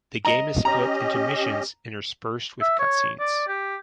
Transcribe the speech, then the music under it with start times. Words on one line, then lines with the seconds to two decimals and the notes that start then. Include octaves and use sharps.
The game is split into missions interspersed with cutscenes.
0.25 D#5 A#5
0.65 C#4 G4 D#5 A#5
2.61 E5
2.79 C#5
3.20 D5
3.48 G4